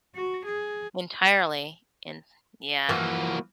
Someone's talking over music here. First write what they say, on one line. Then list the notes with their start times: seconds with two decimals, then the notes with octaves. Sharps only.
entirely. And yeah.
0.15 F#4
0.46 G#4
2.89 E3 F3 A#3 F#4